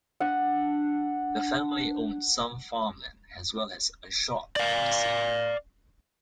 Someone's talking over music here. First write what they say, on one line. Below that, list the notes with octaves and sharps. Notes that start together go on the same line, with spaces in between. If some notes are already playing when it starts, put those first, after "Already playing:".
The family owned some farmland as well as a shop in the city.
D4 F#5
D5 F5